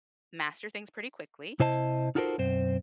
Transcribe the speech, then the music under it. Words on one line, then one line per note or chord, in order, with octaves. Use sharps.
master things pretty quickly,
C3 E4 C5 D#5 A5
D#4 F4 F#4 A4 A#4 C5
B1 F#2 C4 C5